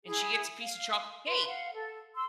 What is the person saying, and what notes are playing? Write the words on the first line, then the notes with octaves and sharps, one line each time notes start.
and she gets a piece of chocolate cake.
E4 G#4
F5
B4 C6
F5 F#5
A4
C6 E6